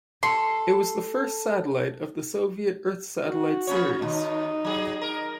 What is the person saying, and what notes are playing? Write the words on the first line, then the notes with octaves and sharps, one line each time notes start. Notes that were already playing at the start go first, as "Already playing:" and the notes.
It was the first satellite of the Soviet Earth Satellite series.
A4 C6
F#4
A#3 C#4 C#5
D#2 D#4
F#3 G#4
A#4